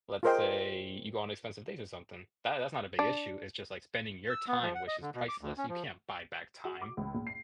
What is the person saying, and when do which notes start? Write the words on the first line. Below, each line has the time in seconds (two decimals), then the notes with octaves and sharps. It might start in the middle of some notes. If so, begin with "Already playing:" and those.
let's say you go on expensive dates or something, that that's not a big issue, it's just like spending your time, which is priceless, you can't buy back time.
0.23 F4 G#4 A#4 C5 D#5 G5
2.99 D4
4.30 E6
4.48 B3
4.62 F3
4.75 F#5
4.87 D#5
5.02 D3
5.15 B2
5.29 D6
5.41 D2
5.58 C#4
5.69 F3
6.65 F#4
6.82 D6
6.97 C#2
7.14 A#2
7.27 C7